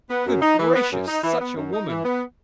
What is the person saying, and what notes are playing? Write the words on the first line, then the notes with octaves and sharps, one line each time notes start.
Good gracious, such a woman!'
B3
F#2
D#4
E3
B3
F#2
D#4
E3
B3
F#2
D#4
E3
B3